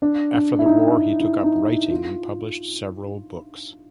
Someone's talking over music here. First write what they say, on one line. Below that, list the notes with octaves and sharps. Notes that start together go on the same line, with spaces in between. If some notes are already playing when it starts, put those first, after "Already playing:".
After the war he took up writing, and published several books.
D4
D4
E4
D#4
E4
E4
D#4
E4
F4